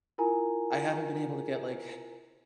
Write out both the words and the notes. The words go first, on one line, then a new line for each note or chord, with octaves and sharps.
I haven't been able to get, like,
E4 F4 A#4 G#5 A#5